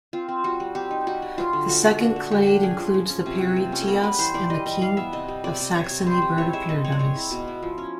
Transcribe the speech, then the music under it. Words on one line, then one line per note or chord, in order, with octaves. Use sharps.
The second clade includes the parotias and the King of Saxony bird-of-paradise.
C4 F4
C4
G3 F#4
G3
C4 G4
D#4
G3 F#4
G3
F#3 F4
D3
A3 F#4
D4 F#4
D4 F#4
A3
D3 G4
D4
C#4 G#4
F3
F3
C#4
C3
C3
A#3
C#4
A4
B3 A#4
G3 B4
E3 C5
E3 D5
G3 D#5
E3 D#5
E3 F5
B3 E5
C3 D#5
G3
C3 D5
C3
C3 C#5
C3
G3 C5
C3
E4 C#5
G#3 E5
C4 D#5
C4 C#5
D5
G#3 C#5
E4
B2
E4
F3
C#4